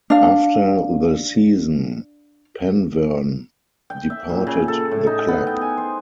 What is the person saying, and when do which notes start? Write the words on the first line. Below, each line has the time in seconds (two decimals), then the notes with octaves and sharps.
After the season, Penverne departed the club.
0.10 D4 F5
3.90 G5
4.10 E5
4.29 A#2
4.47 C#3
4.68 A4
4.91 A2
5.07 D#4
5.28 B3
5.47 G5
5.61 G#5
5.77 C5